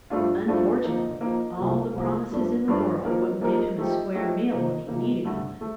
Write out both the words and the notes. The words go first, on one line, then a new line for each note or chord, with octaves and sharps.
Unfortunately, all the promises in the world wouldn't give him a square meal when he needed one.
G2 F3 A3 D4 F4
G2 F3 A3 D4 F4
F3 A#3 D#4
F3 A#3 D#4
C2 C3 F3 A#3
C2 C3 F3 A#3
G2 F3 A3 D4
G2 F3 A3 D4
F3 A#3 D#4 A#4
F3 A#3 D#4 A#4
F3 A3 D#4 G4
F3 A3 D#4 G4
C3 F3 A#3 D#4
C3 F3 A#3 D#4
G2 D3 A3
A3